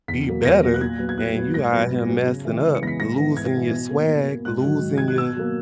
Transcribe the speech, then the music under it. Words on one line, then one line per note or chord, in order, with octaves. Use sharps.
be better, and you out here messing up, losing your swag, losing your
E2 B6
B2 F#3 A#3
E2 A#6
B2 F#3 A#3
F#6
A#2 G#6
F#3 B3
G#6
A#2 F#6
F#3 B3
G#2 A#6
F#3 B3
G#2
F#3 B3
C#3
E3 G#3 B3
C#3
C#7
E3 G#3 B3 A#6
B6
G#2 A#6
E3 B3
G#2 G#6
E3 B3
B2
A#3
B2
A#3
G#2 F#6
D#3 F#3
G#2
D#3 F#3 G#6
F#6
B2 E6
F#3 A#3